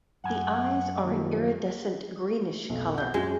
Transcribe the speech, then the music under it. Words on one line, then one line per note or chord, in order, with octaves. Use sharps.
The eyes are an iridescent greenish colour.
F#2 F#5 G#5
D#2 F3
B1 F2
F#5 G6
F#2 G#3 F#4 G#6